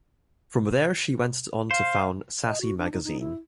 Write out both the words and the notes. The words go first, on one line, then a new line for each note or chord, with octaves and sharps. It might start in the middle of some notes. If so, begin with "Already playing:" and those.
From there she went on to found "Sassy Magazine".
C5 F5
D#5
F#4
D4
D#4
D#4
E4